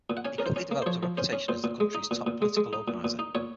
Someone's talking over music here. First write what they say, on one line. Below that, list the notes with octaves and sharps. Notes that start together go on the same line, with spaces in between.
He quickly developed a reputation as the country's top political organiser.
A#2
F#5
C#4 G#5
C#4 A#4
C5
C#4
A#3
C5
F3 C#5
F3
C#4 C5
C#4
A#2 C5
A#2
G#3
D#4
A#2
A#2
G#3
G#3
D#4
A#2
A#2
D#4
A#2 C#5